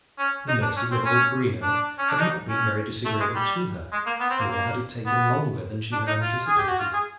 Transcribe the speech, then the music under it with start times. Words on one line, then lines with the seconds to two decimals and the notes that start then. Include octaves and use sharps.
The nursing of old Greenow had not been very disagreeable to her, nor had it taken longer than she had anticipated.
0.19 C#4
0.48 D#4
0.62 D4
0.76 C#4
0.91 C4
1.05 C#4
1.63 D4
1.98 C#4
2.10 D4
2.19 D#4
2.49 C#4
3.05 A3
3.20 G#3
3.35 G3
3.92 G#3
4.06 A#3
4.20 B3
4.30 C4
4.39 A#3
4.50 A#3
5.06 B3
5.92 D4
6.07 D#4
6.22 F4
6.47 G#4
6.58 G4
6.69 F#4
6.79 F4
6.94 G#4